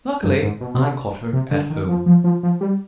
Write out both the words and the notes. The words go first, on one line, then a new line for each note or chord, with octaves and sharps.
Luckily, I caught her at home.
G2
G#2
B2
B2
C3
C3
D3
D#3
F3
F3
F3
F3
G3